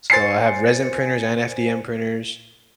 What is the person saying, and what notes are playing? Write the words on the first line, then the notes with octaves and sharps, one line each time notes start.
So, I have resin printers and FDM printers.
C5 G#5 A6 C7 C#7